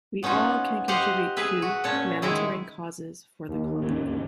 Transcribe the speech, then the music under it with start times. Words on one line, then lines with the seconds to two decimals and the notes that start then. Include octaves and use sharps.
We all can contribute to humanitarian causes for the common good.
0.23 B3 C#4 D#4 F4 F#4
0.88 G4 C5 D#5 F5 F#5
1.37 G#4 B4 E5
1.62 F#4
1.84 A#2 C#4 C#5 A5
2.22 D#3 G#3 E4 G#4
3.49 D#2
3.81 G#1 D2 C#4